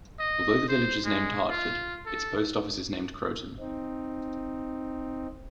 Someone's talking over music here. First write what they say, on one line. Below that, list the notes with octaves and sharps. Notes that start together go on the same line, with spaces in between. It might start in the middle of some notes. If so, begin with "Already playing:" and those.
Although the village is named Hartford, its post office is named Croton.
D#5
C5
G#3
F4
A4
C4 D#4